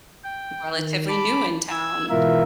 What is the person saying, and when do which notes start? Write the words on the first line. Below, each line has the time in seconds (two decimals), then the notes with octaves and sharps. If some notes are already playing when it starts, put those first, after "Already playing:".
"Relatively new in town."
0.24 G5
0.77 D#3
1.08 A5 B5 D6
1.71 E6 G#6
2.10 G#2 B2 E3 F4 A#4 E5